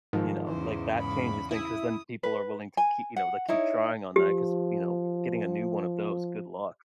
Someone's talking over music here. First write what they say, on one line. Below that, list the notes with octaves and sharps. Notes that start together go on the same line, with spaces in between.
You know? Like, that changes things 'cause then people are willing to kee you know, they keep trying on that 'cause, you know, getting a new one of those Good luck,
G#2 D#3 F3
E2 C#3 E3 C5
B5
E4 D#6
B4
G#5
F#5
D#4 E4 C#5
F3 G4